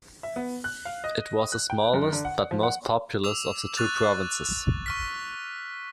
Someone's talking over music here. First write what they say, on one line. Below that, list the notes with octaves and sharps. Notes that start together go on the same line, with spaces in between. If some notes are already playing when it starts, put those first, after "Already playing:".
It was the smallest, but most populous of the two provinces.
E5
B3
F#6
F5
D#5
F#6
G5
F#2
D3
F#5
F3
F#5
D6 E6 F7
C#6 F#6 A6 F7
C#6 F6 B6